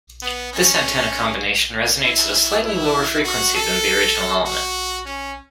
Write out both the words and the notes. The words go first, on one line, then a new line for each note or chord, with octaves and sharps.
This antenna combination resonates at a slightly lower frequency than the original element.
B3
C#4
E4
E4
F#4
A4
F#4
C#4